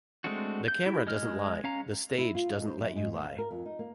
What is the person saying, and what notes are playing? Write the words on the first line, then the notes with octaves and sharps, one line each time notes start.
The camera doesn't lie, the stage doesn't let you lie.
G#3 A3 C4 D4 F#4
G6
E4 G4
G#3 D#5 F6
C#4 F5 A#5
E4
F4
G#2
C5
F#2
G#2
D#2
F5
A#4
F2
D#4
A#3